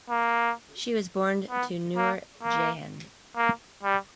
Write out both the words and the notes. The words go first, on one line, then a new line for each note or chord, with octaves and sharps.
She was born to Noor Jehan.
A#3
B3
A#3
A#3
A#3
G3